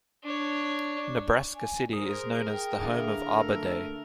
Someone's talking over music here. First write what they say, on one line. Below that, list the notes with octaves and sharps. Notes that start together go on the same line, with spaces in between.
Nebraska City is known as "The Home of Arbor Day".
D4 C#5
G#5
G#4 A#4 C5
G5
D3 A#3 E4
A3 A4